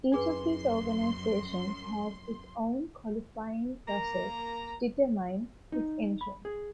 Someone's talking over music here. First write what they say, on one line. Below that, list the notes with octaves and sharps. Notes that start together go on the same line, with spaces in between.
Each of these organizations has its own qualifying process to determine its entrants.
F#2 D4 G#4 B4 C6
A#3 A#5
D#4
B5
G#4